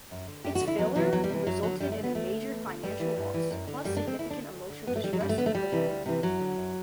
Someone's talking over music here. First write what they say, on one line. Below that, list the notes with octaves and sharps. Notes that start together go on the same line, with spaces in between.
Its failure resulted in a major financial loss, plus significant emotional distress, for Wynn.
F#2
D3
F#2 G4
F#4
D3
E4
E2 F#3
C3 E3 F#3
E2 F#3
G3
C3 E3
F#2 F#3
D3 F#3
F#2 G3
A3
D3
B3
E2 A3
D3
E2
D3
G2 G3
E3
G2
E3
F#2
D3
F#2 G3
D4
D3
C4
D2 E4
D4
D3
D2
D3
G2 B3
A3
D3 G3
F#3
G2 G3
A3
D3 B3
A3
D2 G3
C3 E3
D2
C3 E3
F#2 F#3
D3
F#2